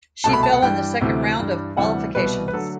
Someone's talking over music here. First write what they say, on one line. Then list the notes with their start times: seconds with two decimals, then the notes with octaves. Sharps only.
She fell in the second round of qualifications.
0.24 C2 B2 A3 A5
0.33 B5
0.43 A5
0.53 F#5
0.62 G2 E3 G3 G5
1.01 D2 C3 E3 A3
1.39 G2 E3 G3
1.77 D2 C3 E3 G3 F#5
2.15 C2 B2 G3 B4
2.48 B4
2.53 D3 F#3 A3 A4